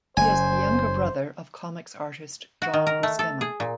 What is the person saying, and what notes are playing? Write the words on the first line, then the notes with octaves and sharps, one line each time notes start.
He is the younger brother of comics artist John Buscema.
F#1 C5 G#5
F#4
D#3
A#4
A3
A4
G#4
A#2